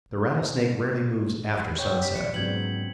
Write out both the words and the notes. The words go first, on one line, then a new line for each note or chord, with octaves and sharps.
The rattlesnake rarely moves after sunset.
B2 F#3 B5
C#3 G4 C#5 F#5 G5 G6
G3 B6
D#3 F3 D4 E4 C#7
C#2 G#2 F#3 B3 C4 G#6 F#7